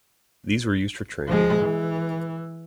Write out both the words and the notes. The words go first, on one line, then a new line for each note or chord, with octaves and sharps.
These were used for training.
F3 G#3
E3